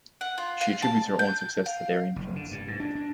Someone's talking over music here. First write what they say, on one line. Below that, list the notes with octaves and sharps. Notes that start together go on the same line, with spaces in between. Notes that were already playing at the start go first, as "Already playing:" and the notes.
She attributes her own success to their influence.
F#5
F4
F5
A5
G6
F5
F#1
D3
G2
G#2
D4
D4